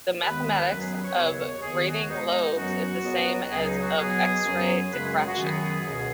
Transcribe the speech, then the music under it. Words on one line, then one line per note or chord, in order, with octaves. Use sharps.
The mathematics of grating lobes is the same as of X-ray diffraction.
D#2 D#3 G#3 B3 B4
B4
F#2 F#3 B3 B4
G#4
B4
C#5
D#2 C#3 B3 C#5
C#5
D#2 D#3 B3 G#4
F#4
B2 G#3 B3 D#4
D#4
D#4
F#2 F#3 B3 F#4
C#2 B2 F#3 B3
C#2 C#3 F#3 G#4
D#4
F#4
B2 F#3 B3 G#4
F#2 F#3 B3
F#2 C#3 G#3 B4
G#4
G#4
F#4
F#2 D#3 F#3 B3 G#4
C#2 B2 B3 G#4